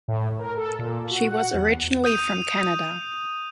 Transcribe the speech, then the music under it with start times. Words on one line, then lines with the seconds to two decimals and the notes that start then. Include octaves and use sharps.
She was originally from Canada.
0.08 A2
0.39 A#4
0.57 A4
0.79 A#2
1.11 F#4
1.27 F#5
1.54 E2
2.04 D#6 G6 D#7 F7